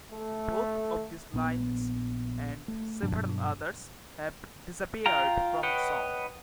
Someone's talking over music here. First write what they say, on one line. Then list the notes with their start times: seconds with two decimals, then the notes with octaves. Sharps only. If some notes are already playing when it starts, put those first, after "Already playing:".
Both of these lines, and several others, have disappeared from the song.
0.10 A3
1.34 A#1 B3
2.68 A3
3.02 G2 B2 F#3 D4
5.06 F4 F5 G5 A#5
5.63 B4 C#5 D#5 F#5 G5